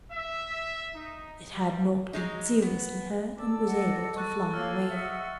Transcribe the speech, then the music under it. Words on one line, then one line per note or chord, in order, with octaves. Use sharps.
It had not been seriously hurt, and was able to fly away.
E5
D#4
G3
F#3 G#3 D#4
B3
A4 D5 D6 E6
D#5 F#5
C#6 F#6 A6
A#3 F4 C#5 E6 F6 A6
G#4 D#5 E5 F#5